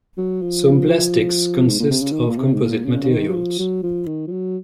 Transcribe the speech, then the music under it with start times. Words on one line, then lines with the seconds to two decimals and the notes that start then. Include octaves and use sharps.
Some plastics consist of composite materials.
0.17 F#3
0.42 F3
1.69 G#2
1.79 A#2
1.90 C3
2.02 C#3
2.12 D#3
2.27 A#2
2.37 C3
2.53 G#2
2.61 A#2
2.85 C#3
3.03 C#3
3.09 D#3
3.29 F#3
3.34 F3
3.59 F#3
3.83 F3
4.07 D#3
4.27 F3
4.31 F#3